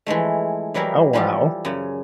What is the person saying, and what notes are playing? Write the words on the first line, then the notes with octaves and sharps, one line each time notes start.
Oh, wow.
E3 F3 G#3 A3
E3 F#3 G3 E4 A#4
E3 F3 G3 F4 A4
F#2 C#3